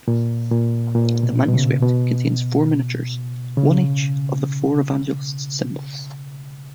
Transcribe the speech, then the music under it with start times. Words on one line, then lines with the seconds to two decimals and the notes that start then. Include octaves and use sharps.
The manuscript contains four miniatures, one each of the four Evangelists' symbols.
0.08 A#2
0.51 A#2
0.95 A#2
1.23 B2
1.48 B2
1.53 C#3
1.83 B2
3.57 C#3